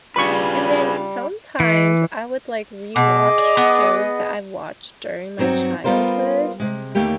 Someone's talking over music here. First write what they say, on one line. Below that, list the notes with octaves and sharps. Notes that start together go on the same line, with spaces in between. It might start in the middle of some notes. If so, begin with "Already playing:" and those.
and then sometimes, I would, like, rewatch shows that I watched during my childhood,
C#3 G3 D4 F4 G#4 B4 B5 C#6
E3
B2 G#4 D#5 D6
D5
B3
G2 F#3 C4 D#4 F#4
G3 B3 F4 A#4 C5
C3 G#3
D#2 D3 A3 A#3 G4 G5